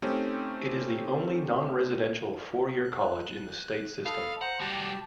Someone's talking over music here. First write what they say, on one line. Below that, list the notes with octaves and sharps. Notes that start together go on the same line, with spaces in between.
It is the only non-residential four-year college in the state system.
A3 C4 C#4 D#4 G4
F#6
A4 D#5 F5 B5
C5 F#5 A#5
G3 F#4 G4 A5